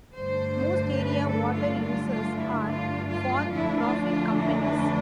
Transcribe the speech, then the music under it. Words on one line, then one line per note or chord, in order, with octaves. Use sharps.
Most area water users are for-profit companies.
G2 D3 A3 D4 C5
B4
A4
F4
F4
F4
E4
F4
F4
F2 D3 A3 D4 E4
F4
F4
E4
B4